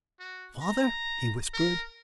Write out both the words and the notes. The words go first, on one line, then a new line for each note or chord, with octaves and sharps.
"Father!" he whispered.
F#4
A#5
A#4